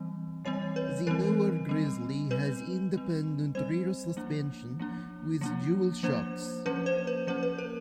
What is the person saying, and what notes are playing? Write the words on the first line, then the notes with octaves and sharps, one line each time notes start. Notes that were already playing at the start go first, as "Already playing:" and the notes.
The newer Grizzly has independent rear suspension with dual shocks.
Already playing: E3 G3 C4
E3 G3 C4 C#5
B4
E3 G3 C4 A#4
G3 C4
G3 C4 B4
G3 C4
G3 C4 C5
F3 A#3 D4
F3 A#3 D4
F3 A#3 D4
F3 A#3 D4 C5
F3 A#3 C#4 B4
C5
B4
F3 A#3 C#4 B4
B4
A#4